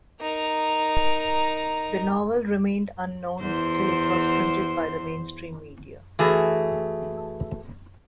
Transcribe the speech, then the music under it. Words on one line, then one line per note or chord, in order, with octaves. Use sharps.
The novel remained unknown till it was printed by the mainstream media.
D#4 A#4
E2 C5
E3 A3 F#4 G#4